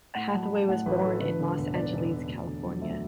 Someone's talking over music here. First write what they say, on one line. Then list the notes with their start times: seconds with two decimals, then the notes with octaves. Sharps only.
Hathaway was born in Los Angeles, California.
0.15 A2 F#5
0.29 F#3 A5
0.42 B5
0.51 F#3 A5
0.68 A2 F#5
0.86 A1 B4
0.99 B4
1.04 A1 A4
1.21 D3 B4
1.40 D3
1.57 E1
1.75 E1 D5
1.93 E1
2.11 E1
2.29 D2
2.46 D3
2.64 F#3
2.81 D2 E5